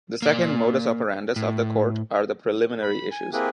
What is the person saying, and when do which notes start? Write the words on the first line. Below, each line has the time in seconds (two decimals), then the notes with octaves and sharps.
The second modus operandus of the court are the preliminary issues.
0.22 A#3 D5
1.36 A2
2.82 B5
3.12 G#5
3.33 A#3 C4 E4 G4 G#4 B4